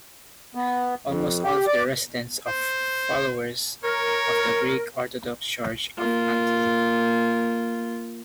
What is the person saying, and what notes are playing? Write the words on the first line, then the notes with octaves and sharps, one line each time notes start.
Almost all the residents are followers of the Greek Orthodox Church of Antioch.
B3
F2
G4
D5
C5
A#4 C#5
A#3 F4